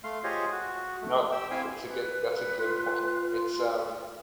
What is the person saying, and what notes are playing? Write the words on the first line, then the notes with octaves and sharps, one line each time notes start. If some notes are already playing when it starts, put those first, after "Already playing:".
No. It's a good that's a good point. It's, um,
A3 F5 C6
F4 G4 G#4 C5 C#5 D#5
F#4
A3
G4 G5 E6
C4 E4 E5 F5 G5 G#5
B4
F4